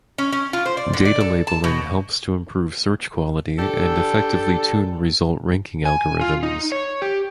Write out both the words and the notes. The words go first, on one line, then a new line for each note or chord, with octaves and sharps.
Data labeling helps to improve search quality and effectively tune result ranking algorithms.
C#4
C#4
F4
C5
D5
D3
D5
A4
A5
B2
D4 G4 A4
G#5
F4
D#4
C#5
G4